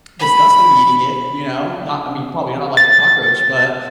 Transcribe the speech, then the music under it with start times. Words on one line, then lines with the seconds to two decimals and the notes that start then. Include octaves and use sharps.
disgusting eating it, you know? Not I mean, probably not like the cockroach, but
0.19 B5
2.77 A6